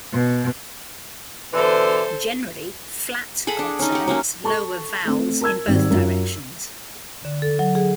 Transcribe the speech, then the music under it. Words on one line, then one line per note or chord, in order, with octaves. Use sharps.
Generally, "flat" consonants lower vowels in both directions.
B2
B2 D3 E3 A4 C5
G#4 A4 F#5 B5
D4
C#4 D#4
G4 F#5
F#3 A#3 C#4
A4 A5 C#6
A3 C4
A#4 A5 E6 G#6
G#1 G3 C4
F#2 F4
D3
A4
F#3
G#4